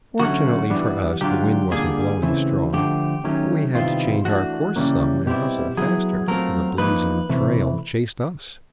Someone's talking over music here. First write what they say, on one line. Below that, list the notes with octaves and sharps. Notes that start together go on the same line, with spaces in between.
Fortunately for us the wind wasn't blowing strong, but we had to change our course some, and hustle faster, for the blazing trail chased us.
D3 F#3 A3 C#4 F#4
E3 G3 B3 D4
D3 F#3 B3 D4 F4 G4
D3 G3 A#3 D4 F4 G#4
C#3 E3 A3 C4 E4
D3 F3 A3 G4
D#3 F#3 A3 C#4
C3 D#3 G3 B3 E4 F4
E3 A3 D4 F#4
C#3 E3 G3 A#3 C#4
B2 G3 C4 E4 G4
F#3 B3 E4 G#4
F#3 A3 C4 F4 A#4
F3 A#3 D#4 B4
C3 E3 A3